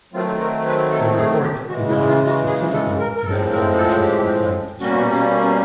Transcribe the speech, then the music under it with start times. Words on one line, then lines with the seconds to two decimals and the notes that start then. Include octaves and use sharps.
The report did not specifically identify Russia's compliance issues.
0.13 D#3 F#3 A3 C4 F4
0.40 A#4
0.66 B4
0.91 A4
1.17 G#4
1.43 G4
1.69 C#3 E3 G#3 F#4
1.89 E4
2.08 F4
2.27 F#4
2.47 G#4
2.73 A4
2.99 A#4
3.15 A#4
3.25 A2 F3 G#3 C4 A4
3.51 A#4
3.77 A4
4.02 G4
4.80 B2 G3 A#3 C#4 F#4